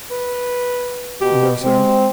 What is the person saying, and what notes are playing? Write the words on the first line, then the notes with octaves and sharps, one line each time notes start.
"No, sir."
B4
B2 G4
G#3 C4